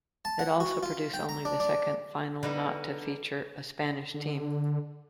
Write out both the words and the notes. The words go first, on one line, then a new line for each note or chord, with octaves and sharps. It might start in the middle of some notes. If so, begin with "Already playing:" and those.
It also produced only the second final not to feature a Spanish team.
A5
F#5
F#4
F4
G5
A#5
D4
D4
D3 G3 B3 D#4 B4
D3